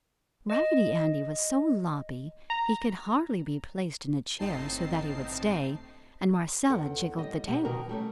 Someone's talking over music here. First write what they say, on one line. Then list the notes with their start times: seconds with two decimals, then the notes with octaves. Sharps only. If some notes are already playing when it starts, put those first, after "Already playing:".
Raggedy Andy was so loppy he could hardly be placed in a chair so that he would stay, and Marcella jiggled the table.
0.50 D#5
2.50 A#5
4.39 G1 A2 C4 D#4 A5 C7
6.70 E2 A4 F#5
7.17 G3 D#5
7.48 B2 G4 F#5
7.65 B2 D#3 F#4 A#4
7.89 G3 A3 C#4